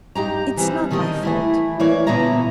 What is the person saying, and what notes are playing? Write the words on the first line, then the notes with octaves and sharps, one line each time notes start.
It's not my fault.
G2 D#4 G4 A#5
E3 G3 C4
D3 D#3 G3 F#4 A#4 D#5
E3 A3 E4
E3 A#3 C#5 D5
A#2 D3 B3 E4 A#5